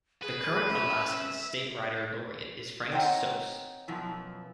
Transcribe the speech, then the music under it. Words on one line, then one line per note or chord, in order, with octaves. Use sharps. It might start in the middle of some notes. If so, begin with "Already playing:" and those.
The current Alaska's State Writer Laureate is Frank Soos.
G#4 B4
C#4 E5
C4 D#4 C#5 D#5 F#5 G5
F#2 B2 F3 E4